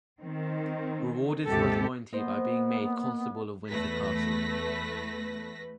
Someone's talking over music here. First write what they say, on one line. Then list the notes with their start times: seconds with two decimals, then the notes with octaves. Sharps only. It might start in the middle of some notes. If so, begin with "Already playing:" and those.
Rewarded for his loyalty by being made Constable of Windsor Castle.
0.20 D#3 C4
1.46 D#2 G#2 C3 G4 A4
2.13 A#3 B3 C5 D#5
3.69 E2 A3 B4 A#6 B6